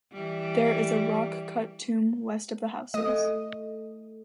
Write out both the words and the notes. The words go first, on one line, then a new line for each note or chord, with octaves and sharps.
There is a rock-cut tomb west of the houses.
E3 G3
A3 D#5 D#6